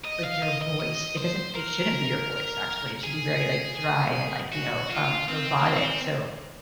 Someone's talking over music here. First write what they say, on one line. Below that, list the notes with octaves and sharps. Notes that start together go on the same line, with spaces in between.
like, your voice, it doesn't, it shouldn't be your voice, actually, it should be very, like, dry and, like, you know, um, robotic, so
D#5
F5
D#5
D#5
D#5
C5
A#4
G#4
F#4
F4
C4
A#3
C4